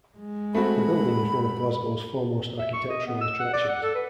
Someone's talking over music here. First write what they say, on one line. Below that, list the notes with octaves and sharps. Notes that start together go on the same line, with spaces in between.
The building is one of Glasgow's foremost architectural attractions.
G#3
A3 C4 F#4 B5
E5
C#6
D#5
B3
E6
F#5
D5
F#5
A4
B4